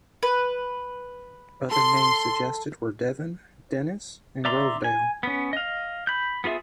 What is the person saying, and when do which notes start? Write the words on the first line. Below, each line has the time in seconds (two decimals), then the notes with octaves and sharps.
Other names suggested were Devon, Dennys and Grovedale.
0.23 B4
1.71 A4 C6
4.45 D5 E5 A#5 C6
4.84 G#5
5.23 B3 C#4
5.53 D#5 F5
6.07 B5 G6
6.44 B3 F4 G#4 E5